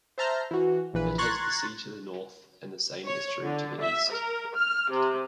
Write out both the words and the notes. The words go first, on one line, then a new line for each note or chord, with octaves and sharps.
It has the sea to the North, and the Seine estuary to the East.
C5 E5 A5 A#5 F6 G6
E3 F#4
A#1 E3 B4
A#5 C6 C#6 F#6 G#6 A6
C#5
D3
E5
A#4
F6
C3